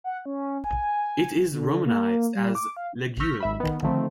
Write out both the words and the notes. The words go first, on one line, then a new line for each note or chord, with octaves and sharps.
It is Romanized as "Lugeum".
F#5
C#4
G#5
D3
A#3
G3
D6
F5
C#6 E6 F6 G6 A#6 B6
G#1 E5 B5
D#3 B3
D3 D#3 F3 A3 C4